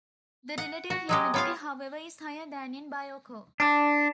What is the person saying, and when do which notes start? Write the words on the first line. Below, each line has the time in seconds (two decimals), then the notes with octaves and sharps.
The relative humidity, however, is higher than in Bioko.
0.58 F#5
0.90 F#4
1.09 F#3 G#3 G4 D#5
1.34 B3 F4 C#5 F5
3.60 D4